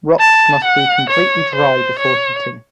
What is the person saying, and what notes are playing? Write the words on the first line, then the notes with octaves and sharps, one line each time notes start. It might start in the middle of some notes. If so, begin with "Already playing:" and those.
Rocks must be completely dry before heating.
A5
F#5
C#5
C5
C#5